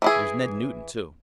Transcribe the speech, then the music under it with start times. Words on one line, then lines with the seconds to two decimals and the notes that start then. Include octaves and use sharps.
There's Ned Newton, too.
0.02 E3 E4 G#4